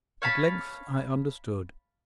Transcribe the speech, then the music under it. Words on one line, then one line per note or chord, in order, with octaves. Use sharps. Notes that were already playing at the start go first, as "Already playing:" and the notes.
At length I understood.
C#5 F5 A5 B5